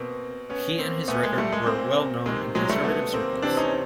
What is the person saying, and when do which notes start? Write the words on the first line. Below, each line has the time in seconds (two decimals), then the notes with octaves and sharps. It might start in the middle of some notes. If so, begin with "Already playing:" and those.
He and his record were well known in conservative circles.
Already playing: B2 A#3 C4
0.50 B3 C#4
0.79 A#3 C4
1.08 A#2 A3 B3
1.23 G#3 A#3
1.38 G3 A3
1.52 G#3 A#3
1.67 A#3 C4
2.26 C3 D#3 G#3 A#3
2.55 F#3 G#3
2.70 G3 A3
2.84 A3 B3
3.13 A#3 C4
3.42 C3 E3 C4 D4
3.57 C#4 D#4